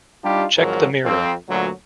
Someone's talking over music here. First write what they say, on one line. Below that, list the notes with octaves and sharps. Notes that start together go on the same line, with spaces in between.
Check the mirror.
G3 D4 D#4 F4 G4
G#1 G#2 F3 F#3 A#4
F2 C4
D2 A#2 F#3